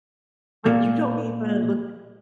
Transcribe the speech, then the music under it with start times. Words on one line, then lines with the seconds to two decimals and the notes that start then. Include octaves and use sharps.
But you don't even look at
0.66 A#2